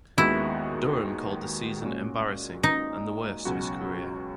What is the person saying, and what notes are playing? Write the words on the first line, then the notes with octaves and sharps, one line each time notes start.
Durham called the season "embarrassing" and the "worst" of his career.
D#2 D#3 G#3 B3 E4 F#4
A#2 G#3 C#4 F#4
D#4
C#2 B2 F#3 C#4 F#4